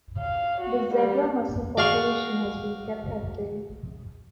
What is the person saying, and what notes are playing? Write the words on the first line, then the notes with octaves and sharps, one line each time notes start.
The zebra mussel population has been kept at bay.
F5
F#4
G3
F#4 G#4 D5 F5 C#6